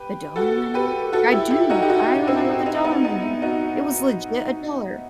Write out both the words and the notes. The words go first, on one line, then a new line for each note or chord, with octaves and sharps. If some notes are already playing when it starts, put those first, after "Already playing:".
The dollar menu? I do, I remember the dollar menu, it was legit a dollar.
Already playing: G4 B4
F#4 A4
G4 B4
F#4 A4
E4 G4
E4 G4
D#4 F#4
G4
D#4 F#4
C4 E4
D#4
E4
B3 D#4
B3 D#4
D#4 F#4